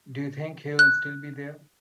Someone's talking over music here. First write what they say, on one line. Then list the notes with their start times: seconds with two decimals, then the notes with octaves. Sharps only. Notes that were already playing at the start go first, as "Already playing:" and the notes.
Do you think he will still be there?
0.79 F#6